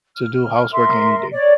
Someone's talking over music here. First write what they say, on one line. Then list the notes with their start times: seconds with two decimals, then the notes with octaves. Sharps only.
to do housework any day. S
0.16 F6
0.72 A#4 E5 C6
1.33 C#5 D5